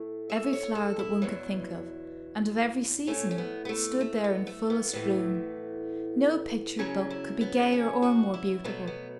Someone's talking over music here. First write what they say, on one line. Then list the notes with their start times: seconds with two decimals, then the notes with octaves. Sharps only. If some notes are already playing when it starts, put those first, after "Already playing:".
Every flower that one could think of, and of every season, stood there in fullest bloom; no picture-book could be gayer or more beautiful.
Already playing: A2 A3
0.30 E5
0.53 C#5
0.75 A4
0.99 E4
1.22 E2 B2 F#3
3.07 A2 A3 C#4
3.31 C#4
3.38 B3
3.65 B3
3.69 A3
4.01 A3
4.24 B3
4.47 A3
4.70 B3
4.93 A2 E3 A3
6.79 E2 C#3 F#3 C#4
7.10 E4
7.41 B3
7.72 C#4
8.02 F#4
8.34 E4
8.64 B2 F#3 A3 B3
8.87 B3